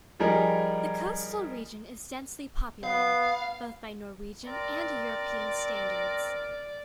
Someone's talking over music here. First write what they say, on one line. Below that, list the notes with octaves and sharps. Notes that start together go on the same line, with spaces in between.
The coastal region is densely populated both by Norwegian and European standards.
F3 G3 D#4 G#4 A#4
B3 F5
C4 A#4 D5 A#5